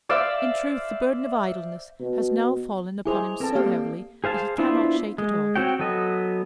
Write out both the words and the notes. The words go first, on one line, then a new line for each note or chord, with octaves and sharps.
In truth the burden of idleness has now fallen upon him so heavily that he cannot shake it off.
C5 D5 E5 F5
B2
E4 G#4 C5 G#5 D6 F7
C4 A4 B4 A5
A#3 G4 A4 D5 F5
G#4 C5 F5 A5
B3 D4 E4 F4 C5
G#3
C4 F#4 C#5 G5
F#3 B3 A4 D#5